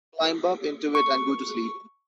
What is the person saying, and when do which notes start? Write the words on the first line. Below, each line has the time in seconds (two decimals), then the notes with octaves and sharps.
Climb up into it and go to sleep.
0.95 C#6